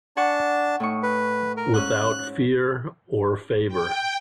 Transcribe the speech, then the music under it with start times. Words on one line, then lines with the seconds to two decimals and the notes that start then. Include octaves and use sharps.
Without fear or favour.
0.17 D4 F#5 G#5 A5 C#6
0.80 A2 D#4 C#6
1.03 B4
1.57 A#4
1.74 G#2 C#4 F#6
3.68 G5